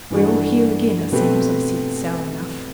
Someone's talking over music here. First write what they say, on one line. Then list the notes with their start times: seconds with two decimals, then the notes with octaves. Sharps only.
'We're all here again, it seems,' I said, sour enough.
0.10 G2 E3 A3 D4 F#4
1.12 B2 A3 C4 G4 B4